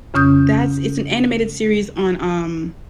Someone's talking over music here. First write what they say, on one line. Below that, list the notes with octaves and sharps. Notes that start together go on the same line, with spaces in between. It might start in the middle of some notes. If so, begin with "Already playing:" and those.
That's it's an animated series on, um,
F2 C#3 C#4 D#6 G6